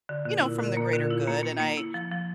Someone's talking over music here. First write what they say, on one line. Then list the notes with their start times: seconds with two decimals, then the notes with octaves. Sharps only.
you know, from the greater good, and I
0.09 D3
0.26 A#2 D3
0.42 E4
0.60 D3
0.77 A#3
0.93 D3
1.10 E4
1.27 A#3
1.43 A#3
1.60 A#3
1.77 E4
1.94 F3
2.11 F3